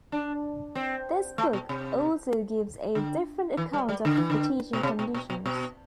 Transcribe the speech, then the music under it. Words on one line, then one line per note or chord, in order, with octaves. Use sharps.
This book also gives a different account of the teaching conditions.
D4
C4
A3
B2
C3
D3
E3
G3
G3
D3
E3
D3
B2
C3
B2
B2
B2
B2